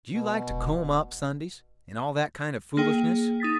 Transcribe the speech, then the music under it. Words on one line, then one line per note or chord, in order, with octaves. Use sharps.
Do you like to comb up Sundays, and all that kind of foolishness?
B2
E1
A#3 G#4 G5
D#4 D#6 A6 B6